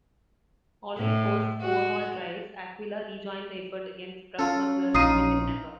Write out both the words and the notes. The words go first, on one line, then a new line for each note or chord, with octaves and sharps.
Following post-overhaul trials, "Aquila" rejoined the effort against drug smugglers in mid-December.
A2
F#4
C#4 F4 A4
A#1 D#4 F4 D#6 C7 D#7